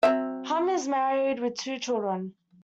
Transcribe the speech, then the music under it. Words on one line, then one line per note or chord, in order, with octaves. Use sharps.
Hum is married with two children.
F#3 C4 E5